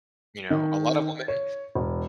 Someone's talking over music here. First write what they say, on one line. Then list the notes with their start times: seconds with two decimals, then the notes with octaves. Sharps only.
you know, a lot of women
0.50 D#3
1.28 C#5
1.75 E1